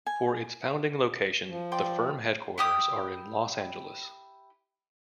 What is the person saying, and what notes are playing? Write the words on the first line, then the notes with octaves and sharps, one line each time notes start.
For its founding location, the firm headquarters are in Los Angeles.
G#5
F3
D5 G5 C6
E4 G4 D#6